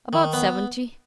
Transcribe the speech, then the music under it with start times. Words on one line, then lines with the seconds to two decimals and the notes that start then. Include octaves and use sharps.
"About seventy."
0.13 D#3
0.33 B3